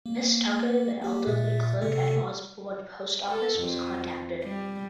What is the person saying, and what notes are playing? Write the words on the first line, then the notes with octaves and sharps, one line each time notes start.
Miss Tucker, the elderly clerk at Osborne Post Office, was contacted.
A#3
A#3 G4
A#2 E5
C3 A3 A4
A4
F2
G3